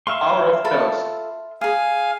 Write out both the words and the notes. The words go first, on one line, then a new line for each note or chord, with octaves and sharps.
Hour of Terce.
E5 F5 C6 C#6
F4 A4 B5
G#4 F5 G#5 D#6